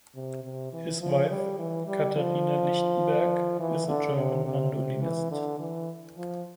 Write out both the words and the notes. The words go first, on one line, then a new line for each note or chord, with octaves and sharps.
His wife, Caterina Lichtenberg, is a German mandolinist.
C3
C3
E3
F3
G3
E3
G3
F3
E3
D3
C3
C3
C3
E3
D3
E3
F3